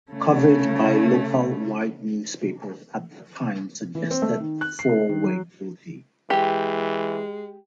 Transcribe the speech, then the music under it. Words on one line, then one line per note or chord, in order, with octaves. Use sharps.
Coverage by local white newspapers at the time suggested the four were guilty.
C#3 A3
E3
C4
A3
D#3
F#6
C7
D#3
F#3
E3 G#3 G4